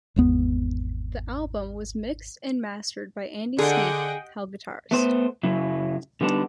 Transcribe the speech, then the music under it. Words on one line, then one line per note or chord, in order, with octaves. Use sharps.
The album was mixed and mastered by Andy Sneap, Hell guitarist.
G#1 E2 B3
D3 G#4 D#5 F#5 G5
A3 B3 C5
F#2 C#3 F#3 E4
D3 G3 B3 D4 D#4